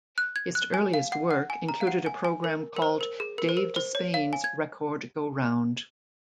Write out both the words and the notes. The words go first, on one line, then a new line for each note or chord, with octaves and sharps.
His earliest work included a program called "Dave Despain's Record-Go-Round".
F#6
G#6
F#6
G#5
F5
F#5
F#5
G#5
A#5
F5
F#5
G#5
G#5
A#4
A#4
C5
A#4
G#4
A#4
C5
A#4
C5
C#5
F5
G#5
G#6